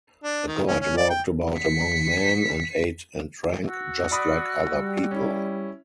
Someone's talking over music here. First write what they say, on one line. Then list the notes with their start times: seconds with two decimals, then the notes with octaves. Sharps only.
A god walked about among men and ate and drank just like other people.
0.24 D4
0.47 D#3
0.67 C#4
0.81 C#4
0.97 D5
1.10 G5
1.57 B6 C#7
3.65 F#4 E6
4.11 D5 B5 D#6
4.74 G3
5.11 C#4 E4